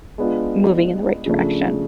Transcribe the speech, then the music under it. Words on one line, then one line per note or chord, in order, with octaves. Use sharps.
moving in the right direction.
G#3 B3 D4 F4
C#3 F3 A3 D4